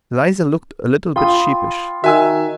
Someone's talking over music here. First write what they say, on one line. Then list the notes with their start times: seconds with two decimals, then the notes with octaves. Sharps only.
Eliza looked a little bit sheepish.
1.16 F4 G5 B5 D#6
2.04 D#3 F#4 E5 G#5 E6